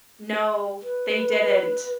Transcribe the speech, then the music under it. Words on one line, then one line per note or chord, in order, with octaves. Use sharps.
No, they didn't.
B4